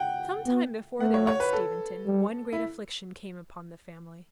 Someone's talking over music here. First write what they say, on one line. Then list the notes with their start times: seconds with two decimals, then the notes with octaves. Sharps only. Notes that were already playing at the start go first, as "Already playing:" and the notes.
Some time before they left Steventon, one great affliction came upon the family.
Already playing: F#5 G5
0.47 B3
1.00 A3 F#5
1.14 C#5
1.27 C#5
1.40 B4
1.53 A4
2.06 G3
2.53 E4